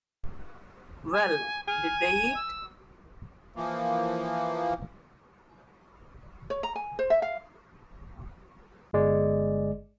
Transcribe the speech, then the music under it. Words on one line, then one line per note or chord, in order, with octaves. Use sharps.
Well, did they eat.
G#5
G#5 F6
D#7
E6
E3 F3 A#3
C#5
A#5
G#5
C5
E5
F5
G1 G#3 D5